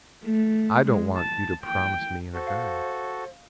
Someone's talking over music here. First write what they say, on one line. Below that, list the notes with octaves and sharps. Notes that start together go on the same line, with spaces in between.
"I don't want you to promise me in a hurry."
A3
G#3
A5
G5
F#4 A4 C5
F5